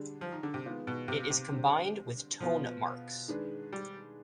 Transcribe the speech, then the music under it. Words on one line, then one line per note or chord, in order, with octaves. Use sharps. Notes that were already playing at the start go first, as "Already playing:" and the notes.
It is combined with tone marks.
Already playing: D3 G3 D4 G#4
F3
D#3
D3
C3
D#3 G#3 B3 F4 G#4
B2
C3
C3
D3 G3 C4
B2 F3 B3 F4
D#3 G#3 D4 G#4 B4
G3